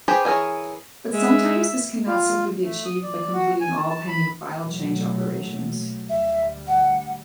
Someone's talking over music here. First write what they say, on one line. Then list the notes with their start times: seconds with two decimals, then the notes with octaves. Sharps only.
But sometimes, this cannot simply be achieved by completing all pending file change operations.
0.08 G4 G#4 B4 C5
0.25 E3 G#4 A#4 C#5
1.13 G#3 E5
2.08 F4
2.62 A3
2.85 D#6
3.03 D5
3.33 F#4
3.61 G#5
3.76 A5
3.90 A5
4.08 B5
4.60 B2 F#3 A3
6.09 D2 G3 E5
6.68 F#5